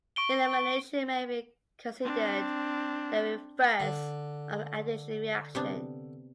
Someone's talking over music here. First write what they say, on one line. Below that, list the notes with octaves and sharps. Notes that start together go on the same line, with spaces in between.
Elimination may be considered the reverse of an addition reaction.
C#6 D7 G7
C4 D4
D3
C3 B3 D4